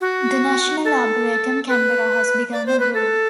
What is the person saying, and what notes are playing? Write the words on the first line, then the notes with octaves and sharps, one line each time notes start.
The National Arboretum Canberra has begun a grove.
F#4
A4
B4
D5
C5
B4
A4